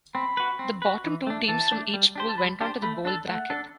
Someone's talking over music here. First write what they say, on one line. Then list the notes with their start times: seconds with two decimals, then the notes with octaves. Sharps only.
The bottom two teams from each pool went on to the Bowl bracket.
0.15 C4 B5
0.37 F#4 B4
0.59 C4
0.82 F#4 B4
1.04 E3
1.27 A3 D4
1.49 E3 A5
1.71 A3 D4
1.94 G3
2.16 D4 G4 C5
2.29 A5
2.38 G3 B5
2.60 D4 G4 C5 A5
2.82 A3 B5
3.05 D4 A4 A5
3.28 A3 F#5
3.50 D4 A4